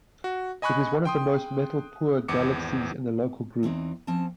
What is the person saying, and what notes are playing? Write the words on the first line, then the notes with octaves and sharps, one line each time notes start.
It is one of the most metal-poor galaxies in the Local group.
F#4
D#5 G#5 B5 C#6 F#6
G5 C6 D#6
G#1 E2 D6 C#7
E2 E3 C4 D#4
F3 C4 C#4 A5